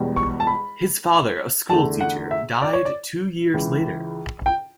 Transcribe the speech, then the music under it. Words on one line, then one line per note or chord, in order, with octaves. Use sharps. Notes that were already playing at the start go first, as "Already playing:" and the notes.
His father, a schoolteacher, died two years later.
Already playing: E1 E2 B2 G3
C#6
A5
B5
E2 D3 A3 A5
F#5
E5
D5
C#5
D5
C#2 C#3 E3
G5